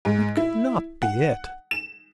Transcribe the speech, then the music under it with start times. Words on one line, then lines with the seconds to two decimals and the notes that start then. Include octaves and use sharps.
That could not be it.
0.05 G#2
0.37 E4
1.02 F#5
1.71 E7